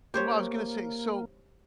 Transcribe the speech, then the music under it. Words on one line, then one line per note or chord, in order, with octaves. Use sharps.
Well, I was gonna say so
A#3 G4 C5 C#5